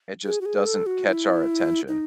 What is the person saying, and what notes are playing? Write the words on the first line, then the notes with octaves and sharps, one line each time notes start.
it just doesn't catch our attention,
G#4
F#4
G#4
A4
F#4
E4
D#4